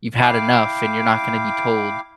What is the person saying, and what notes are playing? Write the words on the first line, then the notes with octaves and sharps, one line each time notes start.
you've had enough and you're not gonna be told
E4 F5 G5 D6